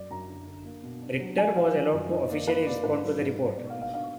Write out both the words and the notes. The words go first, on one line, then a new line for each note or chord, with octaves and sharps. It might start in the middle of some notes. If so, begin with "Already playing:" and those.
Richter was allowed to officially respond to the report.
Already playing: F#2 D5
F#2 A#5
D3
D3
A#3
B2
D4
F#3
F3 G#5
F3 F5
F3
F#2
D#3 D#5
A#3 D5
A#3 B4
A#3 D5
G#2 B4
F#3
G#2
G#2
B2 D5
F5
A#3
F5
D4 F5